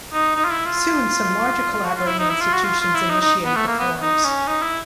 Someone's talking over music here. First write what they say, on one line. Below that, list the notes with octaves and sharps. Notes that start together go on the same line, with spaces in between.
Soon, some larger collaborating institutions initiated the forums.
D#4
D#4
F4
E4
F4
F4
F#4
F4
E4
D#4
E4
F4
F#4
F4
F4
E4
D#4
D#4
B3
A3
A#3
B3
D#4
C#4
D#4
E4